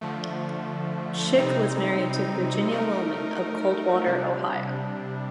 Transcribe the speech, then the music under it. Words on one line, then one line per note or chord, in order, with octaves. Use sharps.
Schick was married to Virginia Willman of Coldwater Ohio.
D3 F3 A3
C3 G3 C4 D#4
A3 D#4 A#4
C3 G3 D4